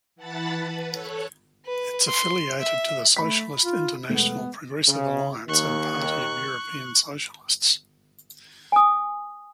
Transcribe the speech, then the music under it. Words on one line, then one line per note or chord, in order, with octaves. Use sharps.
It is affiliated to the Socialist International, Progressive Alliance and Party of European Socialists.
E3 F#5 A5 B5 A6
B4
A4 C#5 F#6
B4
C6
E5
A3 B5 B6
F4
E1 A3 B3
C#3
D#2 D#3 C#6 F#6
G#5 D#6